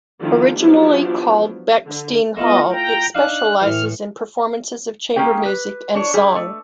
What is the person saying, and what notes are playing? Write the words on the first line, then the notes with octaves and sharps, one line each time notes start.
Originally called Bechstein Hall, it specialises in performances of chamber music and song.
D3 D#3 F3 A3 E4
F3 F#3 B3 D4 E4 G4
D3
A3 B3 E4 F4 D#5
G5 A#5
D4 D#4 F5 F#6
A2 E3 F6
A#3 C#4 G4 G#4 G5
B4
D4 C#5
G3 G#4
A3